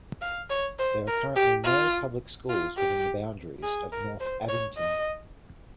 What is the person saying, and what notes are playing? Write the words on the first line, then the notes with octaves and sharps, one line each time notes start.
There are currently no public schools within the boundaries of North Abington.
F5
C#5
C5
A#4
G4
F4
F4
G4
G#4
A#4
C5
C#5
D#5